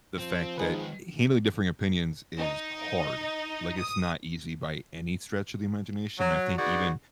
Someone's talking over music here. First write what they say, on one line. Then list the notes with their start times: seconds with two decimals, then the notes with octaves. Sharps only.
the fact that handling differing opinions is hard. Like it's not easy by any stretch of the imagination. I think even
0.18 F3 C4
0.58 D#3 G#3 D#4 G#4 B4
2.37 D#4
3.78 D#6
6.19 F#3
6.58 D#4 F#4 G#4 B4 D5